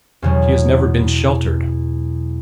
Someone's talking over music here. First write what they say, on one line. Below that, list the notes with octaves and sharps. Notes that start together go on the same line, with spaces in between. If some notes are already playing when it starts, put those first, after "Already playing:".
She has never been sheltered.
E2 B2 F#3